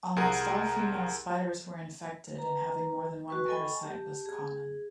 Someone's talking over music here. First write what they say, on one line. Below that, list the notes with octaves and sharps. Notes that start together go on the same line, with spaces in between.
Almost all female spiders were infected and having more than one parasite was common.
C2 G#4 A#4 F#5
B4 A#5
F#4 B4 C#6
A4 D#5 G5 G#5 B5 C#6
G4 A5
G#4